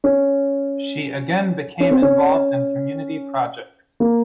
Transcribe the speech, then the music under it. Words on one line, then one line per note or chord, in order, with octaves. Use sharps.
She again became involved in community projects.
C#4
C#4
C4
C#4
A#3